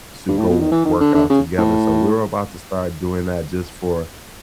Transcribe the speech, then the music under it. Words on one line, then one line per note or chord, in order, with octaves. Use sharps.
to go work out together, so we're about to start doing that just for
G2
A2
B2
D#3
E3
D#3
D3
D3
C#3
A2